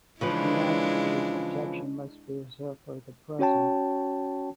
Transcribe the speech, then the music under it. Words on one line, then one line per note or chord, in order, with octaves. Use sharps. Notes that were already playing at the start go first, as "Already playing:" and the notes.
The answer to this objection must be reserved for the present.
C#3 E3 F3 G#3 D4 E4
C#4 F#4 C#5 G5 A5